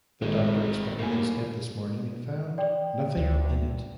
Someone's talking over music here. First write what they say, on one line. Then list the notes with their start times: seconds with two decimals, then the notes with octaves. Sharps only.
The doctor inspected his head this morning and found nothing in it.
0.22 G#1 D#3 G#3
0.99 D2 A2 A#3 G#5
2.58 D5 G5
3.17 D2